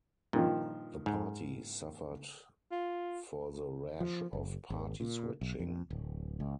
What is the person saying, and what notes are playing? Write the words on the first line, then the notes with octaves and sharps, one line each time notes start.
The party suffered for the rash of party-switching.
G2 A#2 D#3 F3
G#2
F4
F3
F#1
G#1
A#2
B1
F2
D1
C#2